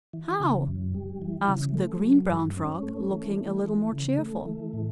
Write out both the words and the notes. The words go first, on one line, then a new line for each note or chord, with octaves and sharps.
"How?" asked the Green Brown Frog, looking a little more cheerful.
E3
C#3
F#2
G3
E3
C#3
A3
F#3
G2
C#4
A3
E3
A3
E3
C#3
A3
E3
A2